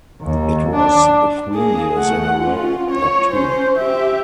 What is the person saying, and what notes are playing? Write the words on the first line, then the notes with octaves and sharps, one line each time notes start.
It was three years in a row, not two.
D#2
D4
A#3 G#4
A3 F#5
C#4 F4
C#5
C#4 C5
G4 E5